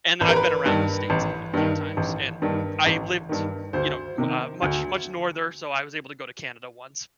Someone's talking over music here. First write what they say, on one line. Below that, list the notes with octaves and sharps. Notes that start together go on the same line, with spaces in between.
and then I've been around the states a f a few times, and I lived, you know, n uh, much, much norther, so I was able to go to Canada once.
A1 B4
A#4
B4
G2 D#3
A1
G2 D#3
A1
G2 D#3
A1
G2 D#3
D2 C5
C3 D#3
D2